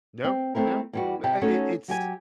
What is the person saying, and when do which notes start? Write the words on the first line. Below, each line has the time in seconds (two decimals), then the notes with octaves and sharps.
No, no. But, I I it it's
0.24 C4
0.55 A3 C4 E4 A#4
0.93 E2 G3 F#4
1.23 C3 E4 G4 G5 A5
1.41 A3 C#4 D#4 F#4 A4 C#5
1.88 F#3 G4 G#5